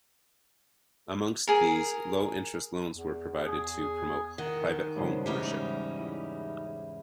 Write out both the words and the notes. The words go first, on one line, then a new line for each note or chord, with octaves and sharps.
Amongst these, low interest loans were provided to promote private home ownership.
G#4 A#4
E2
G#4
D#3 F#5
G2 C#3 C5
E2 G#2 E3 G3 C#4 D#4
E4